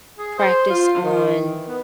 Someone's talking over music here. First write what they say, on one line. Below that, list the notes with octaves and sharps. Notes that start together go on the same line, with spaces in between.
practice on
G#4
C5
F4
D#3
E3
B3